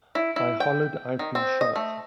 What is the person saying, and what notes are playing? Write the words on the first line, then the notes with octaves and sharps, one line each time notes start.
I hollered 'I've been shot!
E4
E4
G5
D#3
C4
D#5
A3